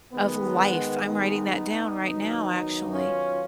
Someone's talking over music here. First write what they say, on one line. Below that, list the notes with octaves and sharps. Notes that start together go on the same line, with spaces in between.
of Life. I'm writing that down right now, actually.
D#3 G#3 B3
B3 D#4
D#3 F#3 B3
C#4 F4